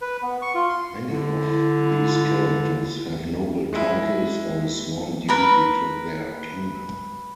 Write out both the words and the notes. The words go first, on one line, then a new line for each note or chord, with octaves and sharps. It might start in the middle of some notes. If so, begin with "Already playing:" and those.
Many of these characters have noble titles, or a sworn duty to their kingdom.
B4
B3
C#6
F4
C6
D3 E4
G#3 E4
A#4 B4 B5